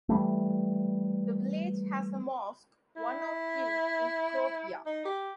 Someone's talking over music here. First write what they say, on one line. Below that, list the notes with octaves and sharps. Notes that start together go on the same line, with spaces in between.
The village has a mosque, one of few in Croatia.
E3 G3 A3
E4
D#4
G4